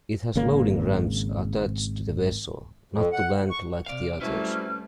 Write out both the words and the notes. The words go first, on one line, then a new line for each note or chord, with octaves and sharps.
It has loading ramps attached to the vessel, not to land like the others.
G#1 C#3 A#3
F2
F#5
D2
C#6
C3 D5 F5
F#3 G3 A3 C4 C#4 E4 B4 F6